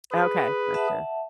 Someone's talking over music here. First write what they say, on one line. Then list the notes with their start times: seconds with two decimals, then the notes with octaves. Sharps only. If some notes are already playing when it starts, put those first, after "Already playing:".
Okay. Gotcha.
0.12 G#4 B4
0.74 E5 F#5 A5